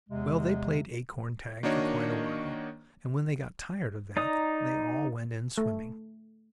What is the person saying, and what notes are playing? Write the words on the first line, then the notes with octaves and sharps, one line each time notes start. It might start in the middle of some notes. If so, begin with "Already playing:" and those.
Well, they played acorn tag for quite a while, and, when they got tired of that they all went in swimming.
E2 C3 G#3
D#3 A#3 D4 F#4 C#5 D#5
D#4 D5 A#5 D#6
A3